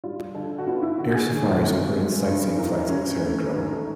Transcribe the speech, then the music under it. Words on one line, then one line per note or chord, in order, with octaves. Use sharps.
Air Safaris operates sightseeing flights at this aerodrome.
G3 F4
D3 A4
F#4
B3 F4
E4
D3 F#4
G#4
D#3
C4
G#3
G2
E3 A#4
C#4
A3
B4
G#2 A#4
A4